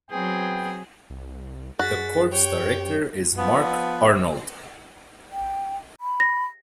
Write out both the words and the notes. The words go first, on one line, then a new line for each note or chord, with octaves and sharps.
The corps director is Mark Arnold.
F#3 B3 C4 G#4 G5
C2
F#2 F#4 G#4 A6 B6
G4 C#5 G5
F3 B3
G5
B5
A#6